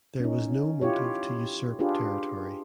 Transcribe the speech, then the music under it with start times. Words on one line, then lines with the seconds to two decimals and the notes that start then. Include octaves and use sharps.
There was no motive to usurp territory.
0.20 C#4 D#4
0.81 E4 F4 G4 C#5
1.79 D4 F4 G4 G#4 B4